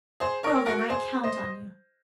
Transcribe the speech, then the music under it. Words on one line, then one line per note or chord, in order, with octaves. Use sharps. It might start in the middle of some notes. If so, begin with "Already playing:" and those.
"Well, then, I count on you."
G#4 C5
A#4 C#5
F#4 A#4
G#4 C5
C5 D#5